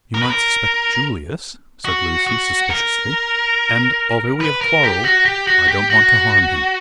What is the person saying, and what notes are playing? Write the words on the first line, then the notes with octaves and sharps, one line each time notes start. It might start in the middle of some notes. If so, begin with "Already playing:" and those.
"You might suspect Julius," said Lucy, suspiciously, "and although we have quarrelled I don't want to harm him."
A#4
B4
A#4
F#4
F#4
A#4
B4
A#4
G4
F#4
G4
F#4
G4
F#4